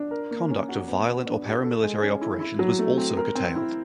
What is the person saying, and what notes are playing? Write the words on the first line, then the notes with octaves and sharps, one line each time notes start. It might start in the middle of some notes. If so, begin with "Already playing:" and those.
Conduct of violent or para-military operations was also curtailed.
Already playing: D4
A#4
A#3
C#4
F#4
B3
B3
D4
G4
A4
G#3
C#4
E4
E4
F#3
A3
C4
A#4
C4
E4